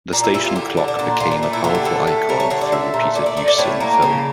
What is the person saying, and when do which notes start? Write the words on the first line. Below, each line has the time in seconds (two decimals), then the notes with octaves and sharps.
The station clock became a powerful icon through repeated use in the film.
0.13 A#2 D4
0.24 E4
0.34 G3 E4
0.45 F4
0.56 D3 G4
0.77 D3 D4
0.88 D4
0.99 A#2 D4
1.20 A#2 F4
1.31 D4
1.43 A3 D4
1.53 E4
1.64 D3 F4
1.75 G4
1.85 A2 A4
2.07 A3
2.29 G3 A#4
2.40 C#5
2.50 D3 C#5
2.61 D5
2.72 A3 E5
2.94 A#2
3.15 A3 D5
3.26 D5
3.37 A3 D5
3.48 D5
3.58 A2 C#5
3.80 A#3
4.02 C#3